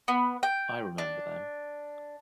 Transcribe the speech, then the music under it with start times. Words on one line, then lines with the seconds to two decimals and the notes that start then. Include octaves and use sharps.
I remember them.
0.08 B3
0.43 G5
0.98 D4